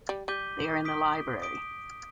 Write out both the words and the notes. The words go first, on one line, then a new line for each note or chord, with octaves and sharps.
They are in the library.
G3
G3 D6 G6 B6 D#7 G7
D#6 B6 D7 G7
D#6 B6 D7 G7